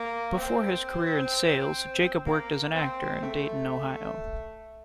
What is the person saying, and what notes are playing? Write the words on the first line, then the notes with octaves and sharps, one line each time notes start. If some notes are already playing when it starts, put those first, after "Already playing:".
Before his career in sales, Jacob worked as an actor in Dayton, Ohio.
Already playing: A#3
C4
A#3
C4
A3